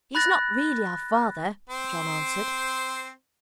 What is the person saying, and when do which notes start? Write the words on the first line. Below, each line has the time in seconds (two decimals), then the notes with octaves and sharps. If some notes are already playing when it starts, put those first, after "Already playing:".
'He is not really our father,' John answered.
0.15 B5 F#6 A6 A#6
1.69 C4 C5